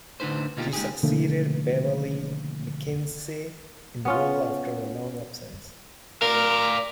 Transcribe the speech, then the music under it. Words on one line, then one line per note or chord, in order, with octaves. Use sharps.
She succeeded Beverlee McKinsey in the role after a long absence.
A2 D3 D4 D#4 B4 C5
B2 A#3 D#4 F4 G4
G#3 D#4 G4 G#4
B2 D3 D#3 F3 A3 A#3
B3 C#4 F4
A#4 D5 F5